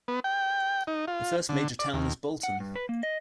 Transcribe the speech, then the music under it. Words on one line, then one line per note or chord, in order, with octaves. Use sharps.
The first major town is Bolton.
B3
G5
D#4
F4
D3
D5
D#2
F#5
G2
B4
A#3
D#5